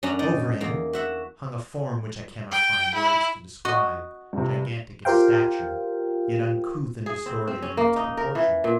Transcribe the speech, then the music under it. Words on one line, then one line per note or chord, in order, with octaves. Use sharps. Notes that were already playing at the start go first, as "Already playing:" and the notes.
Over him hung a form which I cannot find words to describe--gigantic in stature, yet uncouth and distorted in its proportions.
F#2 C#4 D4 A#5
D#4 D5
E2 A#3
F#4 E5 F#5
G5
E4
F#4 D#5
G2 C3
F4 G4 A#4 C5 F5 G5
G#4
C4
C4
C#4
A#3
D#4
A#4
E3
A#2